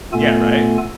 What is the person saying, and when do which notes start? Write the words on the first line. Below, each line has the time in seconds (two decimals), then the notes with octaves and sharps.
Yeah, right?
0.13 A#2 A3 B3 F4 A4 G#5